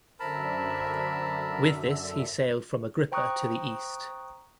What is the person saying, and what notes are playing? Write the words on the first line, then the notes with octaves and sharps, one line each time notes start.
With this he sailed from Agrippa to the east.
F#2 D3 A#4 C5 E5 A5 B5
C5 G5 A#5 C#6 D#6 F#6